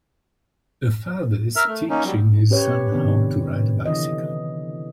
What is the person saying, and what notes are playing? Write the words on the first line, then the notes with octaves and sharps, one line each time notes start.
A father is teaching his son how to ride a bicycle.
A#4 E5 F6
A3
A#3 C#4 D#4
F#3 G3
C#4 G4 B4 C#5
C3 D#3 B3 D4
D3 E3 D#5